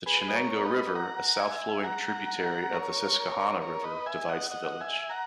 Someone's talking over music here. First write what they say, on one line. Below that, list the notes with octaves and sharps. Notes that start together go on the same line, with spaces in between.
The Chenango River, a south-flowing tributary of the Susquehanna River, divides the village.
G#4 B4
D#5
A#4 C#5
B4 D#5
F#5 A#5
E5 G#5
F#5 A#5
A#4 C#5
A#4 C#5
B4 D#5
E5 G#5
D#5 F#5
D#5 F#5
E5 G#5
F#5 A#5